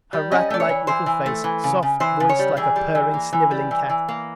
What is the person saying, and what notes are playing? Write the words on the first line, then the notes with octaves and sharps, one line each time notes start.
Her ratlike little face, soft voice like a purring, sniveling cat!
G3
C#4 D#5
A3 D5
C#5
E3
E3 C5
E3
A3
E3
C#3
C#3
E3 C5
C#3
C#5
G3
E3 G#4
G3
E3
A#3
E3
G3
E3
E3
A#3